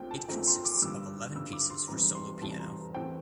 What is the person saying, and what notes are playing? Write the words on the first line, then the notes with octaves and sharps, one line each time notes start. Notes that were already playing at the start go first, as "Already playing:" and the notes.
It consists of eleven pieces for solo piano.
Already playing: A#1 A#2 A3 C4 G5
A5
A#1 A#2 A3 C4 A#5
C6
D6
D6
G2 D3 G3 E6
G2 D3 G3 E6
D6
C6
F1 E2 C3 G3 A#5
C6
F1 E2 C3 G3 A5
A#5
E2 E3 A3 C4 G5